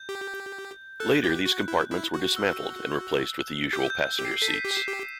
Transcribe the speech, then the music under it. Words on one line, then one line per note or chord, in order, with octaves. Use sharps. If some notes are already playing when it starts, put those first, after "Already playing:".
Later, these compartments were dismantled and replaced with the usual passenger seats.
Already playing: G6
G4
A4 F#6
G4
F#4
E4
E4
F#4
E6
G4 G6
G6
G6
G4
C7
A4 B6 D#7
G4
C7 E7
G4